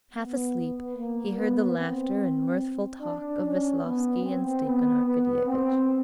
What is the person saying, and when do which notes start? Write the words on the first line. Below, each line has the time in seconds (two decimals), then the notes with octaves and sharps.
Half asleep, he heard the laughter and mirthful talk of Veslovsky and Stepan Arkadyevitch.
0.15 B3
0.97 A#3
1.38 B3
1.78 C4
3.01 D4
3.42 C#4
3.83 B3
4.23 C4
4.65 B3
5.06 B3
5.46 C4